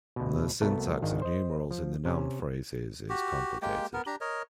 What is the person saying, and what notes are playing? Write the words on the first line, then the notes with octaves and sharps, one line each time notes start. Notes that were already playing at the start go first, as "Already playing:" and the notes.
The syntax of numerals in the noun phrases is complicated.
D2 B2
C2 A3 B3 F#4 A4 A#4
G#1 D#3 D4 F5
C5 D#5
F3
C3 C#4
F#4 G4
G#3 A#3 G4 G5
B3 A#4
D4 G4 A#5
A#4 C#5 D#5